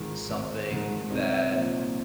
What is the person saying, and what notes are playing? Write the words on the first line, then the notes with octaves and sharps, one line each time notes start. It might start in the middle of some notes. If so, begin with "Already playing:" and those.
something that
Already playing: G#1 G#2 D#3 F4 G#4
G#1
G#2 D#3
C2 C4 D#4
A#2 F3